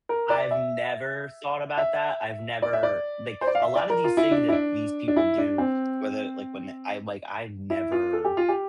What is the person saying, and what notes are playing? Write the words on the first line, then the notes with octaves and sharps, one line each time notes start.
I've never thought about that. I've never, like, a lot of these things that these people do, whether, like when I'm, like, I've never
A#4
D5
E5
E5
D5
E5
D5
C5
D5
F5
E5
D5
A#4
F4
E4
D4
E4
D4
D4
E4
D4
C4
E4
F4
A4
G4
F4
G4